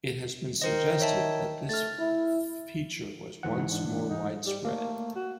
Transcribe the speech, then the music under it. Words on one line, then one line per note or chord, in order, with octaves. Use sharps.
It has been suggested that this feature was once more widespread.
D#3 A#4 C5 D#5
C#5 E5 A5
A3 F6 A6
E4
G#2 E3 F#5
D4
D#4
G3
A3 A#3
F#4